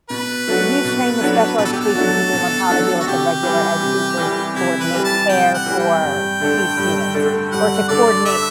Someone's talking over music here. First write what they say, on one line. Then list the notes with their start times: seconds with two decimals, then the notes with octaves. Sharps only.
you train the special education teachers on how to deal with the regular ed teachers to coordinate care for these students or to coordinate,
0.10 B2 B4
0.48 F#3 A3 D4 F#4
0.84 B2
1.21 F#3 A3 D4 F#4
1.58 B2 B4
1.65 A4
1.73 G4
1.80 A4
1.95 F#3 A3 D4 F#4
2.33 B2
2.70 F#3 A3 D4 F#4
3.00 F#4
3.07 C3 G4
3.43 E3 G3
3.80 C3
4.18 E3 G3
4.55 C3 E4
4.80 B4
4.93 E3 G3
5.04 A5
5.29 C3 G5
5.54 F#5
5.66 E3 G3
5.79 G5
6.03 G2
6.40 D3 A3 D4 A4
6.77 G2
7.14 D3 A3 D4 A4
7.52 G2 F#5
7.89 D3 A3 D4 A4 D5
8.25 E5